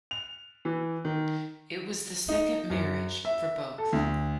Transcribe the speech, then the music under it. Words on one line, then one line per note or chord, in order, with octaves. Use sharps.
It was the second marriage for both.
F7
E3
D#3
D#4
F#2
E5
A4
D2